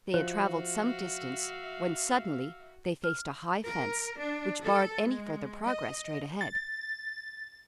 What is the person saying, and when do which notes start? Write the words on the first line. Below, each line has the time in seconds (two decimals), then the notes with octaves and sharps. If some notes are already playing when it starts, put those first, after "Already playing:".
They had traveled some distance when suddenly they faced a high fence which barred any further progress straight ahead.
0.14 F3 F#4 C5 E5 F5
3.04 F6
3.65 A#4
4.20 D4
4.63 A4
5.08 G#3
5.67 D#5
6.41 A6